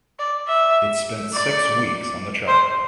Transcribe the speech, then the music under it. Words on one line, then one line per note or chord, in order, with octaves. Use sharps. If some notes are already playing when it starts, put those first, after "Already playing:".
It spent six weeks on the chart.
D5
E5
D5
C5